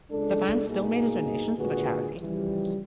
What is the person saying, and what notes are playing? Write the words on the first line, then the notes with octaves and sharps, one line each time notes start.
The band still made a donation to the charity.
C#2 G#3 D4 A4
G2 B2 A#3 D#4 G#4
G#1 A#2 D3 F#4 G#4 B4
C#3 E3 F3 G3